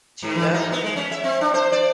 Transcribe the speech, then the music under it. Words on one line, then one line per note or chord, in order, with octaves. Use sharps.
Chewed up.
G#2
E3
D#4
B3
G#3
C#4
E5
C4
D4
C5
D5